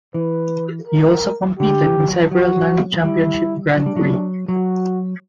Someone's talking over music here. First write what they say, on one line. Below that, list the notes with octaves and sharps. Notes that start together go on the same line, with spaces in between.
He also competed in several non-Championship Grand Prix.
E3 B4
A#4
D3 G4
E3
E3
F#3
F#3 F#4
G3 E4
F#3 D4
G3
F#3
F#3 F#4